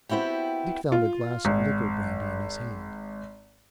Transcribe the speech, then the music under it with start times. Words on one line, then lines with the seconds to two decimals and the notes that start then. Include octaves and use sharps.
Dick found a glass of liqueur brandy in his hand.
0.09 B3 C4 E4 F#4 G4
0.92 F4
1.45 G#1